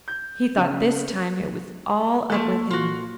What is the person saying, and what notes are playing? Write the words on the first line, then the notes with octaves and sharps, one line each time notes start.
He thought this time it was all up with him.
G6
C#3
F3 A3 A#3 A4
A#2 F4 F#4